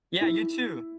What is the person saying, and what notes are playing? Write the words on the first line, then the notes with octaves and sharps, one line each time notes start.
Yeah, you too.
E4